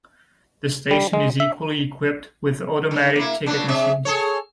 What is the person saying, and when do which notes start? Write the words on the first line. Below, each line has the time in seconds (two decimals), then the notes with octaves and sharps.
The station is equally equipped with automatic ticket machines.
0.91 G3
1.13 G#3
1.40 E5
2.91 D3
3.16 A#3 E4
3.46 A#2 C#3 D4
3.68 C4 G#4 E5
4.05 G#4 A4 C#5